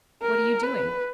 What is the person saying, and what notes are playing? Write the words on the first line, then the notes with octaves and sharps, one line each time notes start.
'What are you doing?'
A#4
B4